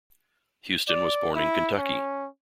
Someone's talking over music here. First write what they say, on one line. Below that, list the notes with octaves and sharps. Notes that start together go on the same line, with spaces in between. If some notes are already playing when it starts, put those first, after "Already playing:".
Houston was born in Kentucky.
D5
E4
C#4